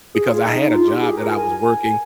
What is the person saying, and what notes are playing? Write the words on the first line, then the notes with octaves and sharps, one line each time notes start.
because I had a job that I was working,
G#4
F4
D#4
F4
G4
G#4
A#4
G#5